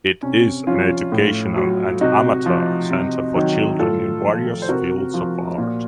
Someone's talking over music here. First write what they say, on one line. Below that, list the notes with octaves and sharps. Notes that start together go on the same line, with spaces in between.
It is an educational and amateur center for children in various fields of art.
C3 C#4
F3 C#4 F4
A2
F#3
C3 D#4 F#4
F3
C3
D#3 F#3
A2 F4 A4
F3
C5
C3 F#4 A#4
F3
A#2